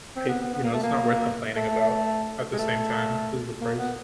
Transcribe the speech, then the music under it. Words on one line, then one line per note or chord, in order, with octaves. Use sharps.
I you know, it's not worth complaining about at the same time 'cause of the price.
C4
B3
B3
B3
A#3
A3
A#3
A3
G#3
A3
A#3
B3